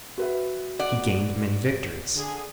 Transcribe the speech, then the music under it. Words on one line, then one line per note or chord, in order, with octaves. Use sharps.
He gained many victories.
F#4 B4 E5
D5 F#5
D3 G#4